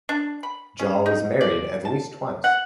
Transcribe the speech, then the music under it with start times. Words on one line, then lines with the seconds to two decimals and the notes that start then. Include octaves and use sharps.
Jaw was married at least twice.
0.09 D4
0.43 B5
0.79 C#4
1.06 D#4
1.41 D5
1.85 A5
2.44 F#5